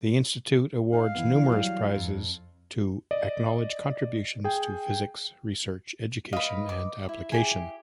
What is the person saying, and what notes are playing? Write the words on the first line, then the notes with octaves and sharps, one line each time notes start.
The Institute awards numerous prizes to acknowledge contributions to physics research, education and application.
D#4 F5
E3 B3
F#3 G3
F2
D5 D#5
G#4 G5
B4 D#5 F5 B5
D6
E4
G4 G#4